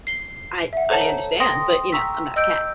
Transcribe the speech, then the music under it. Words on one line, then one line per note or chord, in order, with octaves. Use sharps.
I I understand, but, you know, I'm not a cat.
C7 G7
E5 F#5
A4 C5 C#5 F#5 A5 A#5
G5 C6 D#6 A#6
G5 A#5 C#6 E6 B6
D#5 E6 G6 D7